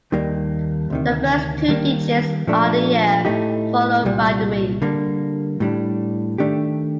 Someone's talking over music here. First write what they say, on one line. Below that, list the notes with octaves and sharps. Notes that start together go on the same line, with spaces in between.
The first two digits are the year, followed by the week.
D#2 D#3 G3 A#3
D2 C3 D#3
D#3 G3 A#3
A#2 F3 A3 D4
A2 A3 D#4 G4
C2 A#2 G3
D3 G3 A#3
A2 G3 D4
D#3 A3 D4 G4